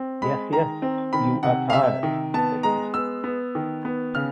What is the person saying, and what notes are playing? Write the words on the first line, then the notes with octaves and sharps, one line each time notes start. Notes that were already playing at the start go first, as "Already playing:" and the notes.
"Yes, yes, you are tired," said he.
Already playing: C4
G#3 B5
D#3 A#5
C4
D#3 B5
C3 F#5
F5
C3 E5
D#3
B3 A5
G#3 A#5
B3 E6
B3
D#3
B3
C#3 F6